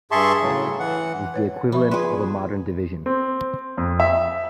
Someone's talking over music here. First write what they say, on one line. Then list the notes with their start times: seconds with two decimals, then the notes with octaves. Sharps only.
It is the equivalent of a modern Division.
0.11 G2 G#4 E5 A5 C6 C#6
0.42 A2 C#3 F#3
0.79 E3 F#5
1.34 B4 C#5 F#5
1.72 F3 B3 E5 C#6
1.91 F4 G#4 B4 D5 C6
3.06 C4
3.77 F2
4.00 E5